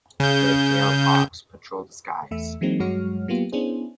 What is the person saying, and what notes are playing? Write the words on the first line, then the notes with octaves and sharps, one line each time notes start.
Red-tailed hawks patrol the skies.
C#3 G6
E2 A3 E5
E3 F#3 G#3 A#3 C4 D#4
G2 F#3 G#3 F#4 C#5 F6
F#3 A#3 B3 F4 G4
B3 C#4 D4 E4 G#4 C5